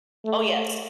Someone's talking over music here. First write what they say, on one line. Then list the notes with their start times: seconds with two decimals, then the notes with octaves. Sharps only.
Oh, yes.
0.25 A3